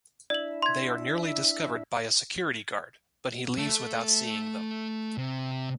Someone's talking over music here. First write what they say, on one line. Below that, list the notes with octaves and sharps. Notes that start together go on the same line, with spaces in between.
They are nearly discovered by a security guard, but he leaves without seeing them.
D4 E4 D5 E5 F#7
C6 G#6
A3 A4
C3